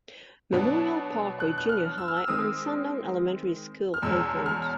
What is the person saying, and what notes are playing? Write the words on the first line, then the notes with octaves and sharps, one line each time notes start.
Memorial Parkway Junior High and Sundown Elementary School opened.
B2 F#3 B3 D4
F#6
F#6
F6
E6
F6
E6
D#3 G#3 C4 D#6
F6
E2 B2 G#3 C#4 E6
F6